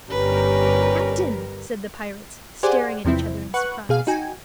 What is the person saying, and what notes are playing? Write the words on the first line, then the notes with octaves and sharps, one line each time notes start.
"The captain!" said the pirates, staring at each other in surprise.
G1 G3 C#4 A#4 B4
G4 G#4 C5 D5 F#5 G#5
E2 C3 F3 C4 E4
B4 F#5 C#6 F#6
B2 G#4 F5
D#4 F#4 G5 G#5